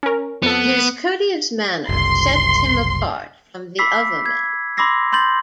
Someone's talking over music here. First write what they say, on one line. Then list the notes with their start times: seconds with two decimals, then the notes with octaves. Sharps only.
His courteous manner sets him apart from the other men.
0.03 C#4 A#4
0.42 F2 B3 A4
1.89 F#1 C2 C6
3.79 B5 D6 E6 B6 C7
4.26 G#6
4.77 B5 C6 D6 E6 A#6 C7
5.12 B5 C6 G6 A6 F#7